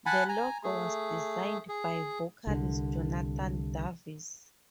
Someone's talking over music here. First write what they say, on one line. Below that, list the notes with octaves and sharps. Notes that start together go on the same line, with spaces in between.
The logo was designed by vocalist Jonathan Davis.
F#5 G#5 A5 B5
G#5 A#5
A3 G#4
G#4
C2 D3